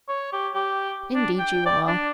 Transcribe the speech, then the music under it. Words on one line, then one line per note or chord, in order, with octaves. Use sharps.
'Indeed you are.
C#5
G4
G4
D4
G5
D5
D4